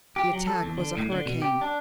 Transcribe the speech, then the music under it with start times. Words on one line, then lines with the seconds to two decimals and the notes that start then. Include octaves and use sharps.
The attack was a hurricane.
0.16 G4
0.33 F#3
0.47 A4
0.63 E2
0.77 D3
0.97 A2
1.12 D3
1.26 B2
1.42 G4
1.61 D4